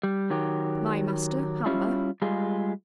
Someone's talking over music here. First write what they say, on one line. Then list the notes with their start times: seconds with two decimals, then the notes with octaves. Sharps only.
My master, Hamper.
0.03 G3
0.30 D#3 F#3 G4
1.66 G3 C#4 E4 F4
2.22 G3 G#3 F4 G#4